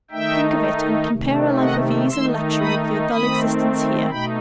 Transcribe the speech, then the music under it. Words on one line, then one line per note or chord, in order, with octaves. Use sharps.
Think of it, and compare a life of ease and luxury with your dull existence here.
D#3 A3 D#4 E5 G5
C3 D#3 A3
D#5 F#5
D#3 A3 D#4 C6 E6
B5 D#6
D#3 A3 C4 B5 D#6
B2 A3 D#4 G5 B5